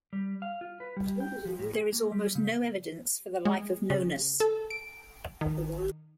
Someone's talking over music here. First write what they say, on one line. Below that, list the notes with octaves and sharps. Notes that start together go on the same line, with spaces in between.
There is almost no evidence for the life of Nonnus.
G3
F5
F4
B4
G3
G5
F3
A2
G#4
A#3
G3
C#3
G#3
C#3
A4
D7
D#3